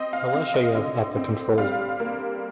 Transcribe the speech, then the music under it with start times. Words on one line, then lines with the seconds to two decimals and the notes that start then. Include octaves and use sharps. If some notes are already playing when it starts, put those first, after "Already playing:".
Alasheyev at the control.
Already playing: C4 D#5
0.13 F5
0.33 C4 F5
0.54 D#5
0.75 D3
1.17 C4
1.58 G3 F5
2.00 A#3